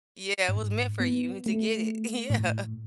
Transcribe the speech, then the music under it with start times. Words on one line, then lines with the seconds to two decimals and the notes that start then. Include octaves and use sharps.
Yeah. It was meant for you to get it. Yeah.
0.49 G#2
1.00 B3
1.46 A3
2.30 A2